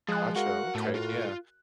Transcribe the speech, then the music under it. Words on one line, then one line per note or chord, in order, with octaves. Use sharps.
Gotcha, okay, yeah,
F3 G#3 G#4 F#6
F#4 A#4 F5 F#5
A2 A3
F4